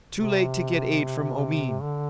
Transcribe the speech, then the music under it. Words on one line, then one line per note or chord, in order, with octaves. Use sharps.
Too late to get aid from Omean.
C3
D3